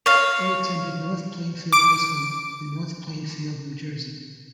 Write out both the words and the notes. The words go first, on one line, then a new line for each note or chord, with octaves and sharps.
He attended North Plainfield High School in North Plainfield, New Jersey.
C#5 F5
D6 D7